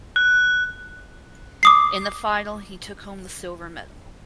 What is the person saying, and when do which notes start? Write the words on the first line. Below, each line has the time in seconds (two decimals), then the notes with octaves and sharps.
In the final he took home the silver medal.
0.16 F#6
1.63 D6 D#6 C7